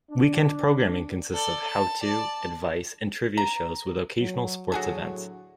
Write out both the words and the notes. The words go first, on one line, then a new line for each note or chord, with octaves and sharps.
Weekend programming consists of how-to, advice, and trivia shows with occasional sports events.
D4
A4 D5
A5
D5 A5
A#5
F#3
A2 D3 F#3 F#4 G#4 A4